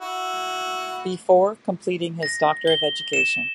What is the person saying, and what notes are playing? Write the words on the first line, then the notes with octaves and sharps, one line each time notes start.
Before completing his Ed.D.
E4 F#4
A#6
G7
E7